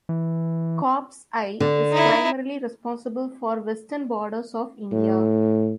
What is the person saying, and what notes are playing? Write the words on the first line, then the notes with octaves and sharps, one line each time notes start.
Corps I is primarily responsible for western borders of India.
E3
D3
D#4 E4
A2